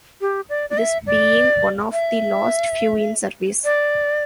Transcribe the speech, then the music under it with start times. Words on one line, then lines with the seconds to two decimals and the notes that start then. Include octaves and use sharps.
This being one of the last few in service.
0.21 G4
0.49 D5
0.70 D5
0.78 E5
1.07 D5
1.92 E5
3.64 D5